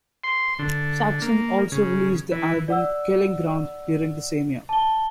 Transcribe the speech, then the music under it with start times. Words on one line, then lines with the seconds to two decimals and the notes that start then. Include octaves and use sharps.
Saxon also released the album "Killing Ground" during the same year.
0.24 C6
0.59 D3
1.22 A#3
1.72 C#3
2.32 E3
2.68 D5 F#5 E6
4.69 A5 G7